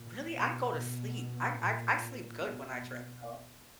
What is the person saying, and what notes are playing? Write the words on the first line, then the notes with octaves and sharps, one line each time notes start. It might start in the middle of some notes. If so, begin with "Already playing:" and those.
Really? I go to sleep. I I I sleep good when I drink, though.
Already playing: A#2
B2
B2
A#2
B2